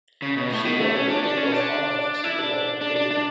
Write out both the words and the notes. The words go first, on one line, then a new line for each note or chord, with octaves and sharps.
She will quickly grow fond of Superboy and date him.
C#3
B2
A2
B2
A3
C#4
D4
D4
C#4
D4
E4
D4
D4
D4
D4